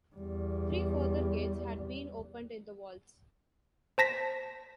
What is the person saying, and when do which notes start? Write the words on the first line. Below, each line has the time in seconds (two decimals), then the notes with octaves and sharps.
Three further gates had been opened in the walls.
0.15 E2 G3
3.98 C5 A5 A#6 B6